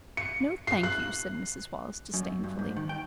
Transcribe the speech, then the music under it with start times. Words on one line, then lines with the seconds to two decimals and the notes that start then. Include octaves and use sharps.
"No, thank you," said Mrs. Wallace disdainfully.
0.17 C#7
0.67 C7
0.83 F#6
2.14 F#2
2.44 G2
2.59 G#2
2.77 D#3
2.89 G5